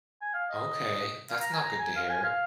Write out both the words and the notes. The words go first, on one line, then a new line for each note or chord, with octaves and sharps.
Okay, that's not good to hear.
G#5
F5
D#5
F5
A#5
G#5
A#5
G#5
F5
G#5
F5